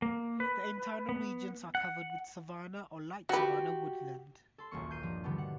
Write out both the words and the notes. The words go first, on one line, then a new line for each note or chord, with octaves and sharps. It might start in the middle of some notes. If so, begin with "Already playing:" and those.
The internal regions are covered with Savannah or light Savannah woodland.
A#3
B4
B3
F#5
F3 F#4 G4 B4
A4 C6
D#1 B1 A#3 C#6
G6 C7 D#7
G2 F3
B2 D3 E3 G3 B3
F#5